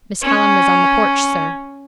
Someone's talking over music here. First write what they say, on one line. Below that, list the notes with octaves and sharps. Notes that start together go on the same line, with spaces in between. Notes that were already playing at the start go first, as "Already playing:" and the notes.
'Miss Hallam is on the porch, sir.'
C#4